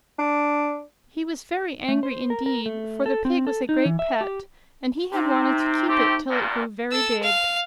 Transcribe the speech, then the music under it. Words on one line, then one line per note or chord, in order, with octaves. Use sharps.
He was very angry, indeed, for the pig was a great pet, and he had wanted to keep it till it grew very big.
D4
A3
C5
A#4
A#4
A3
A4
C4
A4
D#4
E3
E5
G4
C3 C4 D#4
A3 C4 G4
E2 G2 A#2
A4 E6
F5